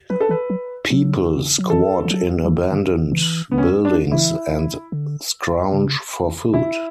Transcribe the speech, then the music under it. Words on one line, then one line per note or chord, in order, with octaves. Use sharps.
People squat in abandoned buildings and scrounge for food.
F#3 B4
A4
E3 B4
F#3
F#3
F#3
E3 A4
E3
F#3
F#3
E3
D3
E3
B3
C#4
D4
E3 E4
D3
C#3
B2 E4